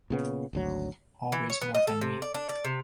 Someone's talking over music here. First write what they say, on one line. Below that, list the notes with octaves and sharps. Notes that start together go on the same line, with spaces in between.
Always more than me.
A#2 C#3 B3
G#1 D2 F#3
E3
C#5
B3
D#5
A4
C3
D5
D4
D5
C3